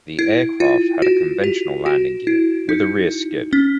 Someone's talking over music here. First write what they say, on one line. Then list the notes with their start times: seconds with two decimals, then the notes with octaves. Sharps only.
The aircraft had a conventional landing gear, with a rear skid.
0.19 E4
0.60 F4
1.02 F#4
1.44 G4
1.86 F#4
2.27 E4
2.69 D#4
3.53 C#4